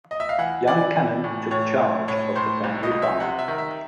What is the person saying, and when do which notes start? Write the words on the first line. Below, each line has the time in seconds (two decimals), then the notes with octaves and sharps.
Young Cannon took charge of the family farm.
0.11 D#5
0.20 E5
0.29 F5
0.38 E3 F#5
0.68 E3 D5
0.96 E3
1.24 A2
1.51 A2 C#5
1.80 A2
2.08 A2 C#5
2.36 A2 C5
2.64 C2
2.83 D#5
2.92 C2
3.02 E5
3.20 C3 F#5
3.39 E5
3.48 D#3
3.58 E5